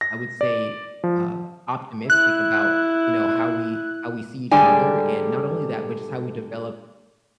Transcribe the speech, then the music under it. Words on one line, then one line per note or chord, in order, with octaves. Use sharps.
I would say, uh, optimistic about, you know, how we how we see each other, and not only that, but just how we develop,
A#6
D5
F3
E4 F#6
G#2 D3 G3 G#4 D5 G#5